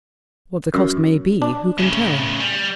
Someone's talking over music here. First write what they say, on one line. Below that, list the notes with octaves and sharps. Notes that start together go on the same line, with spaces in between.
What the cost may be, who can tell?
F#2
D4
A2 C#3
G3